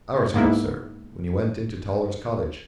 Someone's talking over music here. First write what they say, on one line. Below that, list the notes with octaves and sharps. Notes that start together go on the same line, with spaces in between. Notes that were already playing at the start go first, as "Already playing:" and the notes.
"Hours ago, sir--when you went into Toller's cottage."
G#2 A#3 B3 E4